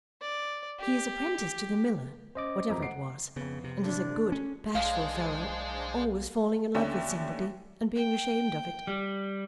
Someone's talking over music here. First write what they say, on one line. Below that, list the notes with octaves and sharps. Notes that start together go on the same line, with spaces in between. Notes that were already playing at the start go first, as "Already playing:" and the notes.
He is apprenticed to the miller, whatever it was, and is a good bashful fellow, always falling in love with somebody and being ashamed of it.
D5
G4
C#4 C5 D#5 D6
E1 F2 A#5
F#5 C7 D7
F2 C#3 B3
C3
G2 D3 A3 D4
C#4
B1 G#3 D4 G#4 C5 F5
D#2 D3 A3 C#4
G5
G3